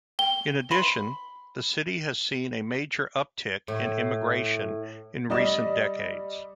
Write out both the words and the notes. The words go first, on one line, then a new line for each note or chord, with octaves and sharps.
In addition, the city has seen a major uptick in immigration in recent decades.
G5 G7
B5 C6
A2
G3 D5 D#5 E7